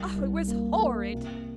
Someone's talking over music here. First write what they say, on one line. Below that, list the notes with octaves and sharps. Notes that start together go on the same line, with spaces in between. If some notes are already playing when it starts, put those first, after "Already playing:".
Oh, it was horrid!'
Already playing: C2
C2
A#3
A#3
C3